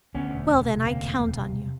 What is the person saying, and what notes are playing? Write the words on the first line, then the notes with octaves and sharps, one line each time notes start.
"Well, then, I count on you."
D2 B3 C#4
E1
E1
C3
D2 A#3 C4
E1
E1
C3